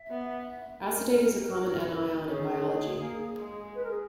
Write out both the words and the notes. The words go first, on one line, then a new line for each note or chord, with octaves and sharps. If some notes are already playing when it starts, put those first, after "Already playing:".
Acetate is a common anion in biology.
Already playing: E5
B3
A#4
C#4 G#4
A#3
G#3
B4
A#4
G#4